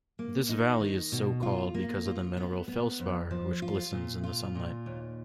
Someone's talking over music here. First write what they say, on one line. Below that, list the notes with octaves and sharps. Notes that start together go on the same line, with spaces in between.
This valley is so-called because of the mineral felspar which glistens in the sunlight.
A#3
D#4
D#3
B2
F4
A#3
F4
B3
B3
F2
F3
F4
A#2
F4
A#2
D#2